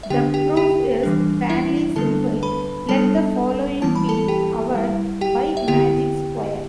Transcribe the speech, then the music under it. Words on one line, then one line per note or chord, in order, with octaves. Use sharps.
The proof is fairly simple: let the following be our bimagic square.
E5
D3 B3 D4 G4 G5
G4 G5
G4 G5
E3 G3 D4
E4 E5
D3 G3 B3 D4 A4 A5
B4 B5
G3 B3 D4 A4 A5
E3 G3 B3 E4 A5
B5
A4 A5
G4 G5
G3 E4
G4 G5
E5
D3 B3 E4 G4 G5